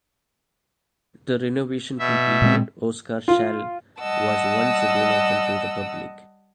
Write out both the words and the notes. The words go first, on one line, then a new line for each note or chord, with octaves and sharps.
The renovation completed, Oscarshall was once again open to the public.
B2 E5
A#2 G#3 C4
F4
G3 D#5 F#5 A5 E6